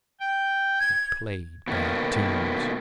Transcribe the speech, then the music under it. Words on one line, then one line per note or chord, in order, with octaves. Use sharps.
It played bad tunes.
G5
G#6
B2 D#3 A3 A#3